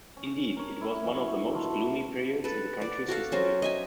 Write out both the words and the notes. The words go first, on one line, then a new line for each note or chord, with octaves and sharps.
Indeed, it was one of the most gloomy periods in the country's history.
C#4
A#4 C#5
E4
E3 F#3 C#6
B2 D#4 F4 A4
E4
A4 B4
D5
F#4 A4 F5
F#3 C#4 C5
D#5 E5 G#5